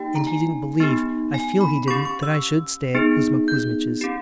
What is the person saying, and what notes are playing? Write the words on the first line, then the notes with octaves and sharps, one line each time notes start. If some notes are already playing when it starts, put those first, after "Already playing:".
And he didn't believe, I feel he didn't, that I should stay at Kuzma Kuzmitch's.
Already playing: A#3 D#4 G4 G5
A#5
G#5
B3 D#4 G4
G#5
B5
C#4 G4 C#6
C#6
E6
B3 D#4 G#4
G6
C#4 G4